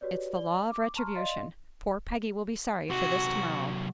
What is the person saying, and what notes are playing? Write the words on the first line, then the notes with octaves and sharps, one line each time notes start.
"It's the law of retribution. Poor Peggy will be sorry for this tomorrow."
F#4 G4 B4 C#5 D5
D5 G7
D6
A5 A#5 C6 C#6 F6
D5 D#5 F5 C6 A6
C3 F#3 F#4